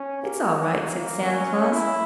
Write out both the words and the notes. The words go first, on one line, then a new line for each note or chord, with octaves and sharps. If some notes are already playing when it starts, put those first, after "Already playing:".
"It's all right," said Santa Claus.
Already playing: C#4
A#3
C#4
E4